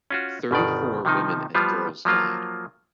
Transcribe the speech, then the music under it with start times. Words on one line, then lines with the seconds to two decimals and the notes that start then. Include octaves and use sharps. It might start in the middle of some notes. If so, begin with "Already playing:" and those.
Thirty-four women and girls died.
0.11 C#4 F4 F#4
0.51 G1 B2 D#3 D5
1.05 C3 D#3 F3 D#4
1.55 F3 G3 B3 F4
2.05 F3 F#3 A#3 F4